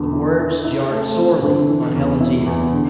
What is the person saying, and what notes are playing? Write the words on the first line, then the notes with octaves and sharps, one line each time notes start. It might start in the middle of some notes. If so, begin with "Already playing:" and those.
The words jarred sorely on Helen's ear.
Already playing: E2 D3
E4
E4
E4
A3
C4
D3
E3
E2
E4
E2
D3